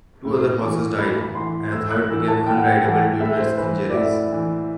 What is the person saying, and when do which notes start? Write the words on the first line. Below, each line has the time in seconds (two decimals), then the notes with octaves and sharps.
Two other horses died, and a third became unrideable due to its injuries.
0.25 A2
0.61 E3 D6
0.98 A2 B5
1.17 B5
1.35 E3 C6
1.72 A2 E6
1.91 F#6
2.10 E3 E6
2.28 A5
2.47 A2 G5
2.55 F#5
2.64 G5
2.84 E3 F#5
3.20 A2 E5
3.40 C5
3.58 E3 B4
3.90 D5
3.94 A2 E5
4.32 E3